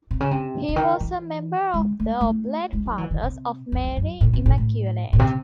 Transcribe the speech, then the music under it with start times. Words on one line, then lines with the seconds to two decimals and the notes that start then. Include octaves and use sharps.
He was a member of the Oblate Fathers of Mary Immaculate.
0.11 C3
0.20 C#3
0.31 C3
0.69 C#3
0.76 D#3
1.00 E3
1.74 G#3
2.00 A3
2.21 A3
2.73 G#3
2.86 F#3
2.98 E3
3.11 D#3
3.23 C3
3.72 E2
3.84 E2
3.97 F#2
4.21 A2
4.33 C3
4.46 A2
4.58 A2
5.13 A2
5.19 C3